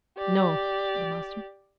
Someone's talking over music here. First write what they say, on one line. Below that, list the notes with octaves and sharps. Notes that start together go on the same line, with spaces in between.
"No!" said the master.
G4 D5